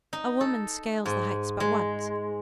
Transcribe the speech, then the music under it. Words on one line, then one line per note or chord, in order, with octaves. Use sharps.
A woman scales the heights but once.
D#4
A4
G#2
G#3